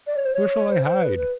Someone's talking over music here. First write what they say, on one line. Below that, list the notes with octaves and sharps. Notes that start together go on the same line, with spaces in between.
Where shall I hide?
D5
C#5
C5
C#5
C5
C5
B4
B4